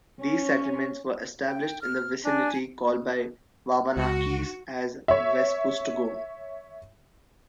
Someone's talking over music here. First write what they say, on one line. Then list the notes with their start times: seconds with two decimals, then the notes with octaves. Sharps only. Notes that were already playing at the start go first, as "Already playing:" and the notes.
These settlements were established in the vicinity, called by the Wabanakis, as "Wescustogo".
0.21 C#4
1.46 G5
1.82 F6
2.25 D4 G#5
3.97 C#2 F#4
5.08 C#5 E5